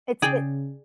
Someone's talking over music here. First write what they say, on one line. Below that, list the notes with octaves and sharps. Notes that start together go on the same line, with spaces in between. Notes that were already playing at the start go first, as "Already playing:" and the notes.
It's it
C#3 G#4 D5 G5